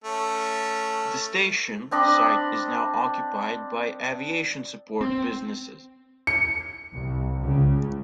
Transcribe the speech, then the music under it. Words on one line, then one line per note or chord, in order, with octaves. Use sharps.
The station site is now occupied by aviation support businesses.
A3 C#4
C4 D4 D#5 B5
C4
C#7
C2
C#2 C#3